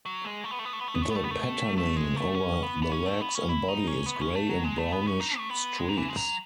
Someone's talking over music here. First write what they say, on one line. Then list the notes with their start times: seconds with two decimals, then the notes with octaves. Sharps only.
The patterning over the legs and body is grey and brownish streaks.
0.06 F#3
0.24 G#3
0.44 A3
0.51 B3
0.59 A3
0.65 B3
0.73 A3
0.80 B3
0.88 A3
0.95 B3
1.02 A3
1.10 B3
1.16 A3
1.24 B3
1.31 A3
1.78 A3
1.96 G#3
2.16 A3
2.34 C#4
2.63 B3
2.83 B3
2.91 C#4
3.06 A3
3.21 B3
3.35 C#4
3.49 E4
3.68 D#4
3.87 C#4
4.06 B3
4.21 C#4
4.35 A3
4.49 F#3
4.64 G#3
4.78 A3
4.92 B3
5.07 C#4
5.21 D#4
5.38 A3
5.49 B3
5.78 G#3
5.89 D#3
5.97 E3
6.09 G#3
6.17 F#3